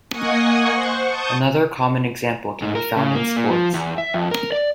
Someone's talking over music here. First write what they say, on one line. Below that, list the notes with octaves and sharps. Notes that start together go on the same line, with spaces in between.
Another common example can be found in sports.
A#3 D#5 F#5 G#5 C#6 D#6
C5 F#5 C#6
A5 C#6 D#6 G6
G#2
A#4
C#3
A#3
A#2
F3
E2
E5
F2
A#4
D5